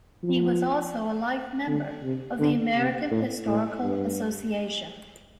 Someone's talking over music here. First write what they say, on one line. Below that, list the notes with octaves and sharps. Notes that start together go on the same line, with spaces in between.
He was also a life member of the American Historical Association.
F3
D3
C3
D3
C3
A2
A2
G2